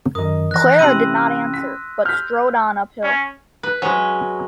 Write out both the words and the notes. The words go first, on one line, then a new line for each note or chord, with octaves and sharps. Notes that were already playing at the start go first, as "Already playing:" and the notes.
Clara did not answer, but strode on uphill.
F#2 D#3 A#4 D#5 D#6
E3 F#6 A#6
C3 E3 C#4 G5 B5 C6 E6 D#7
B6
F6 G6 B6
C#4
B4
F#3 G#3 C#4